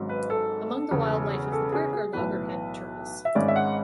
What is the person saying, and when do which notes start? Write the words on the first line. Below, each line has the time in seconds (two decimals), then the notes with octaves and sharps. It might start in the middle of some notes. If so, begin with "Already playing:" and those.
Among the wildlife of the park are Loggerhead turtles.
Already playing: G#1 G#2 F#3 C#4
0.09 B4
0.30 A4
0.91 E1 E2 C#3
1.52 A4
1.73 G#4
1.93 G#4
2.13 B1 A2 E3 B3 B4
3.25 E5
3.35 G#1 G#2 G#3 C#4 D5
3.48 E5
3.56 F#5